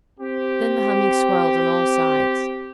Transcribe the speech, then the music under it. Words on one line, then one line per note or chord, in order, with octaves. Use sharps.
Then the humming swelled on all sides.
C4 G4